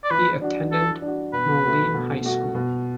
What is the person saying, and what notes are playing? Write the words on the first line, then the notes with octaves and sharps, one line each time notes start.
He attended Moline High School.
D5
E3 B4
D4 F#4
E3 A4
D4
F#4
B2 B4
A3 F#4
B2
A3 F#4
B2